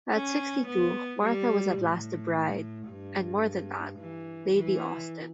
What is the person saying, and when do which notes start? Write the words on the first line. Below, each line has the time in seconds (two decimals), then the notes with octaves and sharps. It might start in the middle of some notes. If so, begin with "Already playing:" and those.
At sixty-two, Martha was at last a bride, and more than that, Lady Austen.
0.12 C#4
0.67 B3
1.22 G3
1.78 A2
2.89 G2
3.99 E3
4.54 E3